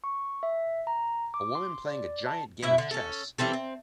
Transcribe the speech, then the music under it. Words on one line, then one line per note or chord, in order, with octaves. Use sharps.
A woman playing a giant game of chess.
C#6
E5
A#5
D6
C6
D5
A5
B2 E4 E5
D3
C#4 A4
E3 G3 C4 A4
C4